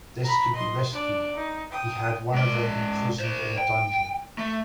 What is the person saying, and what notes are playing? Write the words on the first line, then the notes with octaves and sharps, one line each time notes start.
This could be risky; he had one of them imprisoned in a dungeon.
A#5 B5
D#5 C6
D4 D5
D#4
G5 D#6
G#2 D5
C5 D5
G5
A3